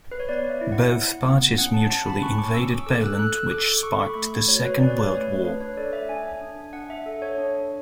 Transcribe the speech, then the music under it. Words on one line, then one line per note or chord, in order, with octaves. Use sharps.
Both parties mutually invaded Poland which sparked the Second World War.
B4
C#5
B3 D5
E5
E4
F#5
E4
B3
C#4 F#5
A5
C#4 A5
B5
C#4 C#6
D6
C#4 E6
D6
A4 E6
F#6
A4 F#6
E6
A4 D6
D6
A4 C#6
B5
A3
F#4 C#5
B4
C#4 D5
C#5
B4
C#5
A3
D4 B4
C#5
A4 D5
E5
D4 G#5
D4
D4 F#5
E5
A4
C#5
D4